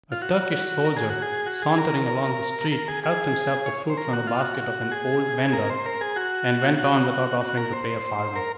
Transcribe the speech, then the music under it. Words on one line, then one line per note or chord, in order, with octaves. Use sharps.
A Turkish soldier, sauntering along the street, helped himself to fruit from the basket of an old vender, and went on without offering to pay a farthing.
F4
F#4
A#4
G#4
F#4
G#4
F#4
G#4
A#4
A#4
G#4
G#4
C#5
C5
A#4
F#4
F4
F#4
G#4
A#4
C5
A#4
G#4
F#4
F#4
F#4
A#4
C5
A#4